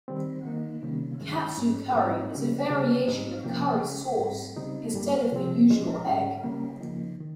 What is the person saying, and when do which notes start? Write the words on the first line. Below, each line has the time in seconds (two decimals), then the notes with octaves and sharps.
Katsu curry is a variation with curry sauce instead of the usual egg.
0.08 D#3 G3 C4
0.45 D#3 A#3 D#4
0.83 C3 D#3 G3 A#3 C#4
1.20 G2 D#3 G#3 C#4
1.58 G#2 G3 C#4
1.95 G#2 G3 C4 D#4
2.33 C#3 G3 C#4
2.70 C#3 G3 C#4
3.08 G#2 G3 C4 D#4
3.44 C3 F3 A#3 C#4
3.82 C#3 G#3 C#4
4.19 G#2 G3 C4
4.56 C#3 G3 C4 D#4
4.94 G2 G3 A#3
5.32 C3 F3 C4
5.70 A#2 F3 G#3 C#4
6.06 G#2 G3 C#4
6.44 C#3 G3 A#3 C#4
6.81 C#3 F3 A#3 D#4
7.20 D#3